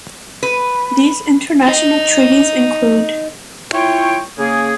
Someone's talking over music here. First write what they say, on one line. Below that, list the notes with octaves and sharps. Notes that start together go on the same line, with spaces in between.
These international treaties include.
B4
D#4 D#5
E4 F4 C#5 G5
C#3 A#3 G#4